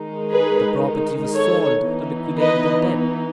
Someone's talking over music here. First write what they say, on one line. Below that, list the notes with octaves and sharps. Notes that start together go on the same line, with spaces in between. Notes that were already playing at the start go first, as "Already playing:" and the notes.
The property was sold to liquidate the debt.
Already playing: D#3 G#3 D#4
G#4 B4
A4 C#5
E3 B3 D#4
B4 D#5